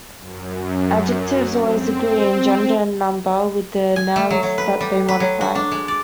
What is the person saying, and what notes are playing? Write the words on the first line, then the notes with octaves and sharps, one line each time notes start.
Adjectives always agree in gender and number with the nouns that they modify.
F#2
C4
G#5
A3
F#3
F#3
B4
G3
B4
F#3
F#4
D4
G#3
D5